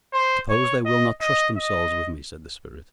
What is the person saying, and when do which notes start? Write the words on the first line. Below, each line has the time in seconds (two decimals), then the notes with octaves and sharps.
"Suppose they will not trust themselves with me?" said the spirit.
0.13 C5
0.50 C#5
0.86 D#5
1.22 D#5
1.57 D#5